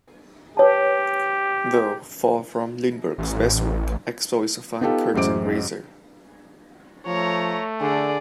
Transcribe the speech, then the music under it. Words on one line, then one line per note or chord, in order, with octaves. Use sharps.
Though far from Lindberg's best work, "Expo" is a fine curtain-raiser.
G4 B4 C#5 A5
A1
B3 D#4 F4 G4 A4
A1 F#2 G#3 C5 D6 D7
F3 A3 C#5 A#5
D3 G#4 D5